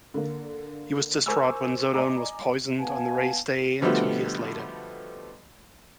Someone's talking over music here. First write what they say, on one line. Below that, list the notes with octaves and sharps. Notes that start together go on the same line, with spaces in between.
He was distraught when Zoedone was poisoned on the race day two years later.
D3 A#3
A#4 C5 G#5 C#6 D6 E6
D5 D#5 G#5 A#5 D6
B3 F5 G#5 A5
B2 D3 F3 G3 A3 B3